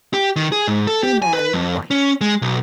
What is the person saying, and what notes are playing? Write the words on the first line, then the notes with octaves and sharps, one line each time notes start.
He married twice.
G4
D#3
G#4
G#2
A4
G4
G#5
B4
F2
C#4
G#3
B1